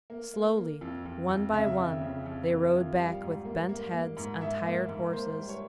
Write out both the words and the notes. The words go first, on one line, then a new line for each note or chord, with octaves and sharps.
Slowly, one by one, they rode back, with bent heads, on tired horses.
A#3
A#3
A#3
F2
F2
F2
C#3 E5
F2
C#3
F2
A#3
F3
G3 F5
G#2
A#3
A#3
A#3
G#2
G#2 E5
A#3
G#2
A#3 C5
G3
C#5